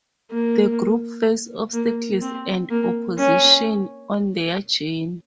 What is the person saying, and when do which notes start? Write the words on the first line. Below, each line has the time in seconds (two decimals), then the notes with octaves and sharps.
The group face obstacles and opposition on their journey.
0.31 A#3
1.74 A#3
2.22 C4
2.70 A#3
3.18 C#4